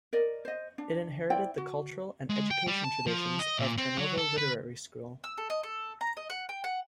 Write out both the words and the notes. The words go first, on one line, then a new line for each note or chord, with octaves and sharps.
It inherited the cultural and education traditions of Turnovo Literary School.
A#4 D5 D#5
C5 D#5
D4
E4 C5 D5 G5
F#4
G#3
G5
G3
A5
F3
D#5
A#2
C4
F#3
A4
B4
E6
A4
D#5
A4
A#5
D#5
F#5
G5
F#5